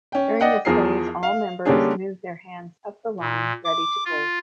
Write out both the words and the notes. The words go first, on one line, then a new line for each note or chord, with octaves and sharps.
During this phase all members move their hands up the line ready to pull.
C#4 G5
D5 D#5 F#5 G5
E2 F3 G#4 A#4 C7
F5
D3 G3 A#3 C#4 D4 G#4
A#2
D6
F4